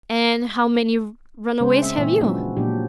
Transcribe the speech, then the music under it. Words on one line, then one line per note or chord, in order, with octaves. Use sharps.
"And how many runaways have you?"
C#3 G#3 C4 C#4 C5
C4 C#4 E5
A#2 E3 E5
F3 F#3 G#3 B3 C#4 D4
A#2 F3 F#3 D4 G4